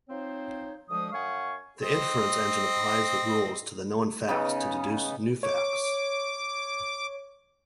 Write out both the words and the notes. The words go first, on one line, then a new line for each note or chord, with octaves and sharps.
The inference engine applies the rules to the known facts to deduce new facts.
F3 C4 D#4 C5 C#5
D2 F3 G#3 D#6
F#2 F5 F#5 G#5 C#6
C4 D#5
C#3 B3 C#4 D#4
C#5 D6